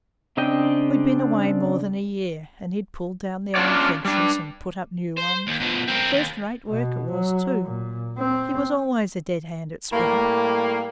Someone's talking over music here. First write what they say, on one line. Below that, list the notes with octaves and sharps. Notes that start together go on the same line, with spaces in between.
We'd been away more than a year, and he'd pulled down the old fences and put up new ones--first-rate work it was too; he was always a dead hand at splitting.
C#3 C4 D4 D#5 G5
C#4 D4 E4 F4 C#5 D5
G3 D4
C5
D#2
B2 F3
C4 A#4
D#2
B2
F#3
A#2
C4
A2 G3 A#3